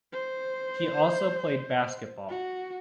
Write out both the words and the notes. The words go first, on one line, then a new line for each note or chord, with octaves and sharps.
He also played basketball.
C5
F#4